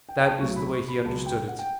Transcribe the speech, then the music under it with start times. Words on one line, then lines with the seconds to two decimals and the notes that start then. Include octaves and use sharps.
That is the way he understood it.
0.09 G5
0.19 G5
0.25 A5
0.40 B1 A2 F#3 C#6
0.56 B5
0.73 C#6
0.88 B5
1.04 C#2 C#3 F#3 B3 A5
1.26 G5
1.48 F#5
1.59 G5